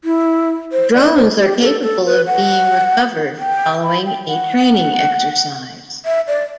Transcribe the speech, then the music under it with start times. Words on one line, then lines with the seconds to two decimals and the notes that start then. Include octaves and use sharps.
Drones are capable of being recovered following a training exercise.
0.04 E4
0.72 C5
0.94 D5
1.16 C5
1.38 G4
1.61 A4
1.83 A4
2.06 B4
2.27 F#5
3.39 G5
3.83 B5
4.06 G5
4.28 F#5
6.05 E5
6.28 D5